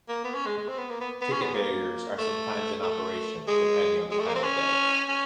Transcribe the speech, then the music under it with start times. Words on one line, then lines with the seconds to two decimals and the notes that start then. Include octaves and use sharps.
Ticket barriers are sometimes in operation, depending on the time of day.
0.08 A#3
0.24 B3
0.35 C#4
0.46 G#3
0.58 G#3
0.68 C4
0.78 B3
0.90 A#3
1.01 B3
1.22 B3
1.33 C#4
1.42 B3
1.54 A#3
2.18 A3
2.83 A3
3.48 G#3
4.11 G#3
4.20 A3
4.28 A#3
4.35 C4
4.44 C#4
5.09 C#4